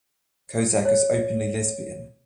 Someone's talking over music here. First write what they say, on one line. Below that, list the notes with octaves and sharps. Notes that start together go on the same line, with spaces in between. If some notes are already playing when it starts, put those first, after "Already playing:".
Kozak is openly lesbian.
C#5